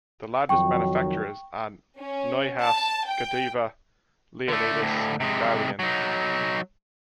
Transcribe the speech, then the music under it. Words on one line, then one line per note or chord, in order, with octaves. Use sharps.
The largest manufacturers are Neuhaus, Godiva, Leonidas, and Guylian.
F2 D#3 F#3 G5 C#6
C#4
A5
G5
D3 A3
D2 A2
C3 G#3
F#3 D#4